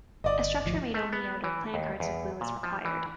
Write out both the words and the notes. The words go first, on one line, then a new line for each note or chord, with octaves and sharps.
A structure made only out of playing cards and glue was required.
G1 D5 D#5
G#1 D2 F3
A3
B3
E3
D#2
E2
A#2
F3
E3